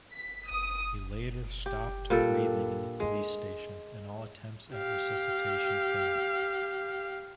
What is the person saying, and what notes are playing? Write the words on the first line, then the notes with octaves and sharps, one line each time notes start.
He later stopped breathing in the police station and all attempts at resuscitation failed.
B6
D#6
G4
A#2 G3 D4 A4
G#3
G4 F5